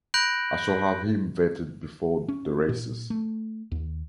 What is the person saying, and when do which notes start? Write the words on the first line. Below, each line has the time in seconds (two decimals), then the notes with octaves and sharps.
I shall have him vetted before the races.
0.14 B5 F#6 G6 A#6 D7 F#7
2.28 C#4
2.69 A#2
3.10 A3
3.72 D#2